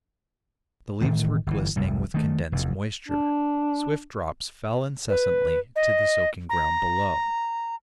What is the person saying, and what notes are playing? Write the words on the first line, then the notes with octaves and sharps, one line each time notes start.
The leaves were glistening with condensed moisture; swift drops fell incessantly to the soaking ground below.
A2 D#3 E3 A3
G1 E3
F1 C2 F2
D#3 A3
F1 E2
D4
B4
D#5
A#5